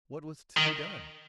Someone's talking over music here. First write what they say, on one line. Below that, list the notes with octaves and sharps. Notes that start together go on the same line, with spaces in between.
What was to be done?
D#3